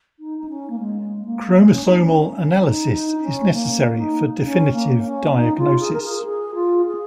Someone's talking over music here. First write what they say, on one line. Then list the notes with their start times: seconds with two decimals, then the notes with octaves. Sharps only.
Chromosomal analysis is necessary for definitive diagnosis.
0.19 D#4
0.38 D#4
0.49 C#4
0.70 A#3
0.79 G#3
1.25 A#3
1.70 C#4
1.84 D#4
1.97 C#4
2.62 D#4
2.92 D#4
3.22 C#4
3.52 A#3
3.97 D#4
4.43 C#4
4.73 A#3
5.04 C#4
5.34 D#4
5.57 F4
5.79 G#4
5.93 A#4
6.02 G#4
6.25 G#4
6.55 F4
6.85 G#4